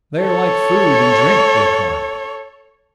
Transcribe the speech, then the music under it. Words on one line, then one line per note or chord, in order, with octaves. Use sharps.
"They are like food and drink," they cried.
A4 C#5